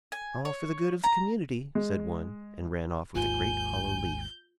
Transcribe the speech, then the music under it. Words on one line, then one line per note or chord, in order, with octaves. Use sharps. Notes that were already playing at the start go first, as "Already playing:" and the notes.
"All for the good of the community!" said one, and ran off with a great hollow leaf.
G#5
C#5
A#5
G#3
G#1 D#2 G#2 F4 G#5 G6